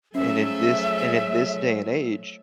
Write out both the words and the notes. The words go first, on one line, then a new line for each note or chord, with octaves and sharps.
And in this and in this day and age,
F3 F#3 A3 C#4 G#4 A4 E5